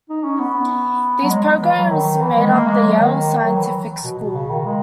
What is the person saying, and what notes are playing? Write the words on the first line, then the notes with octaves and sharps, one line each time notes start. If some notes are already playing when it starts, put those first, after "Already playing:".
These programs made up the Yale Scientific School.
D#4
C#4
B3
F#3
G#3
E3
F#3
D#3
E3
G#3
A#3
G#3
F#3
D#3
F#3
E3
B2
B2
C#3
D#3
G#3